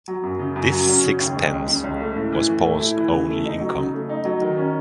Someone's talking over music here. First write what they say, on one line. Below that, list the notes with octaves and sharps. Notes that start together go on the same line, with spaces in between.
This sixpence was Paul’s only income.
F#3
F#2
C#3
F#2
F#3
C#4
C#3
D#2
G#3
C#2
C#3
C#2
A3
A2
E3
A2
A3
E4
E3
C#3
A3
D#4
F#3
C#3
A3
D#4
F#3
D#3
C#4